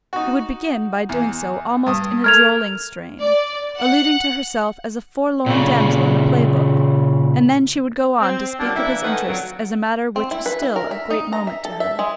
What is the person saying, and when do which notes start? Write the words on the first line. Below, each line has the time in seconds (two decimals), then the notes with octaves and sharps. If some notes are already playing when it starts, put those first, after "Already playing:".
She would begin by doing so almost in a drolling strain, alluding to herself as a forlorn damsel in a play-book; and then she would go on to speak of his interests as a matter which was still of great moment to her.
0.13 D#4 F#4
1.09 E2
1.87 G2 D#6
2.24 A3 A#4 F6 G#6 F7
3.20 D5
3.79 F#5
5.46 A#2 C#3
8.20 C4
8.59 F2 D3 F#3 G3 A#3 D4
8.75 E3 A#3 D4 E4
9.03 A2 D#3 C#4 A4 B4 F#5
9.27 F2 A#2 D3 F#3
10.16 C4
10.31 E4
10.46 B4
10.62 E4
10.76 A#4
10.91 E5
11.10 D#4
11.33 A#5
11.47 E5
11.65 A4
11.80 E5
11.99 G#3